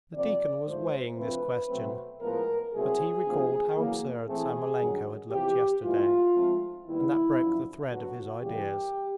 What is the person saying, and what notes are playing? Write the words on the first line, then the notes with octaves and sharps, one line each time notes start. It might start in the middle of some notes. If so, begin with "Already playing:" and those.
The deacon was weighing this question, but he recalled how absurd Samoylenko had looked yesterday, and that broke the thread of his ideas.
F2 C3 F3 A#3 D5
G#2 F3 A3 C5
D2 C3 F3 A3 C4 B4
B2 F#3 A3 C4
A2 F3 G#3 B3 A#4
C2 B2 F#3 A3 C4 G#4
D2 C3 F3 A#3
E2 C#3 F#3 A#3
A2 E3 A3 C4 G#4
G2 D#3 F#3
E2 C3 F3 G4
A2 E3 G3 A#3 F4
G#2 F3 A3 C4
D#2 D#3 G3 B3 E4
F#2 D3 F3
D2 D3 F#3 B3 F#4
E2 C#3 E3 G3 A#3 G4